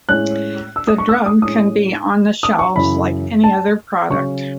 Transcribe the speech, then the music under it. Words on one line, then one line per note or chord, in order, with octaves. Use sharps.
The drug can be on the shelves like any other product.
A2 G#3 C#4 F#6
E6
D#6
C#6
E6
D#6
A2 G#3 C#4 D#6
D#6
C#6
F#2 C#3 E3 B5
A5
C#3 F#3 C#4 C#6